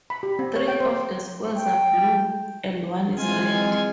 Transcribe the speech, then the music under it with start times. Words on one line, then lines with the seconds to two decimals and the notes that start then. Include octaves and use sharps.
Three of the squares are blue and one is red.
0.10 B5
0.23 G4
0.39 C4
0.56 C#5
0.68 G5
0.80 C5
1.57 G5
3.16 E3 G#3 C4 F4 G#5